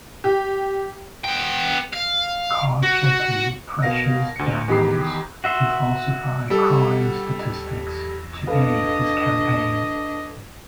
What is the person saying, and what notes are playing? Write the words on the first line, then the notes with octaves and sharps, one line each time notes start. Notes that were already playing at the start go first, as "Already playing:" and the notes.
Carcetti pressures Daniels to falsify crime statistics to aid his campaign.
G4
B3 G5
F5
F#4
B2 A#4 F5 A#6
D2 C#7
E2 D#3 G4 G#4 B5 C7
F#4 E5 C6
G3 A4
D4 A4 B4 D#5 F5